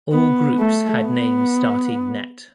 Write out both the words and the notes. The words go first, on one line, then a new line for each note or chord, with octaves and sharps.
All groups had names starting net.
B3
A3
B3